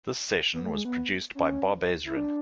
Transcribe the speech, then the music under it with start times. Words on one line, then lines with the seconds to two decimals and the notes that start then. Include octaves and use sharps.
This session was produced by Bob Ezrin.
0.53 B3
0.65 A3
0.74 G#3
0.85 B3
1.35 C#4
2.05 E4
2.17 D4